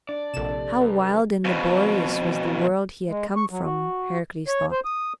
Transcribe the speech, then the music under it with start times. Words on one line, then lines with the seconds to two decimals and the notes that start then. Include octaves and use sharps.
How wild and laborious was the world he had come from, Heracles thought!
0.09 D4 D5
0.34 A#1 C3 A4 E7
0.81 F#2 B4
1.45 F2 B2
3.09 G#3
3.36 C#6
3.51 F#3
3.64 F#4
4.48 C#5
4.72 C5
4.85 D#6